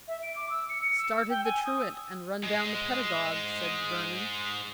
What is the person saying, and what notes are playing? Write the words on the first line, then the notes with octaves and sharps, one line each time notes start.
"Started the truant and run down the paedagogue," said Vernon.
E5
D7
D6
E6
C#7
E6
G5
G#5
D#6
E6
G#2 G#3